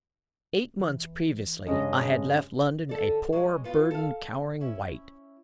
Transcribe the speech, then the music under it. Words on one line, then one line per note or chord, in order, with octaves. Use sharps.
Eight months previously, I had left London a poor burdened, cowering wight.
E3
G2 C#3 G#3 C#4 D#5
D3 A4 D5
F#3 G#3
B3 F4
A4 F5
C#4 E4